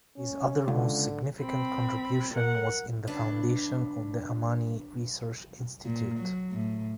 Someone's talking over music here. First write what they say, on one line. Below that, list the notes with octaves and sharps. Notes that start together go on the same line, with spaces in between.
His other most significant contribution was in the foundation of the Amani Research Institute.
C#4
C#2 D3
C4 B5
A#4 F#5
G2 C#3 D4 B4
A#2
F#3
A2